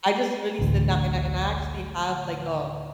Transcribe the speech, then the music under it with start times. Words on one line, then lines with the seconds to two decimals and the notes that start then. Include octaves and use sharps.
I just really sit down and I and I, actually, have, like, a
0.59 A1 D2